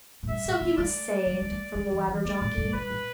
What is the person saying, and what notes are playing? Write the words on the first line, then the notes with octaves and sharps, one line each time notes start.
So he was saved from the Wabberjocky.
A2
G2 E5
A2
B3
A3 D5
G3
G3
A3
G3
E3
E3
A3 D5
A2
G2
G2 B4
A2